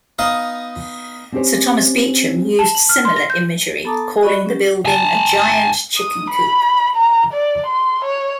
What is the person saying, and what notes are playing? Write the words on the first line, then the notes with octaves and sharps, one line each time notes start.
Sir Thomas Beecham used similar imagery, calling the building a "giant chicken coop".
B3 D#4 D#5 F5
C4 C#4 E4 G4 C5 C#5
A5
F#7
F6
C6
A#6
G6
B3 A4 A5 A#5 D6 D#6
F#4 D5 D#5 B5 C#6
C#4 G4
G#5 A5
D#6
B5
A#5
D5
C6
C#5